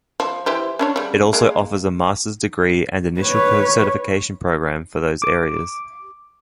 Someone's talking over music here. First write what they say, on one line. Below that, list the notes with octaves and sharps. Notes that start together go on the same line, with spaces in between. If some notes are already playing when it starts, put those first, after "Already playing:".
It also offers a master's degree and initial certification program for those areas.
F3
E3 G4 C5
C#4 D4 C#5
C#3 G3
G#3 A#3
B4 C#5
D6